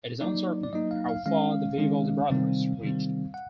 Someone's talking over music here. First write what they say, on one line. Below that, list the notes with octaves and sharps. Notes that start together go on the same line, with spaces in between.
It is uncertain how far the Vivaldi brothers reached.
F#3 A#3 D#4 D5
D5
F#3 A#3 D#4 D#5
F5
F5
D#3 G#3 C#4 F5
D#3 G#3 C#4
C3 D#3 G3 C4
C3 D#3 G3 C4
F#5